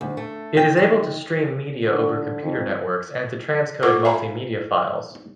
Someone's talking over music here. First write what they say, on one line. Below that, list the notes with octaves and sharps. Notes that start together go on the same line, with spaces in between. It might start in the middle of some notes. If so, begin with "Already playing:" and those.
It is able to stream media over computer networks and to transcode multimedia files.
D2
A3
G5
D#3
D3
F2
F4 A4 C5 F#5 C#6 D6
C5 E5 F5 G#5 A#5 B5